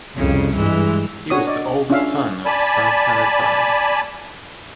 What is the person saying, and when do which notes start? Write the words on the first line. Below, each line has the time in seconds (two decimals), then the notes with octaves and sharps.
He was the oldest son of Samsenethai.
0.16 C2 F2 C#3
0.56 G2 E3 G#3
1.30 D4 F#4 C#5 D#6
1.47 D5 D#5
1.90 C#4 D4 F4 G#4 E5 F5
2.45 D5 G#5 A5 B5